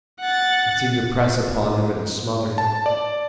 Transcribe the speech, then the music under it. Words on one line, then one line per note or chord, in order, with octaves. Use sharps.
It seemed to press upon him and to smother him.
F#5 A6
A5
D5